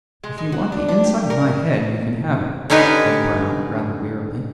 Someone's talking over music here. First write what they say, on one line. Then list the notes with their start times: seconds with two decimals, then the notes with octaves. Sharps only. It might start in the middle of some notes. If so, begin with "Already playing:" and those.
"If you want the inside of my head you can have it," said Brown rather wearily.
0.24 G#3
0.38 G#3
0.52 F#4
0.72 D4
0.88 D4
1.04 G4
1.30 A#4
2.70 D3 C#4 D#4 G4 B4